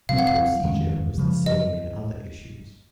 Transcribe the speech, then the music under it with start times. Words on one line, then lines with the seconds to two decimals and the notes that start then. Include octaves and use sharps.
The procedure was the same in other issues.
0.09 C3 F#3 C4 F5
0.19 F#5
0.27 F5
0.63 F2 D#3 G#3 C#4
1.18 F#2 C#3 F3 G#3
1.46 D#5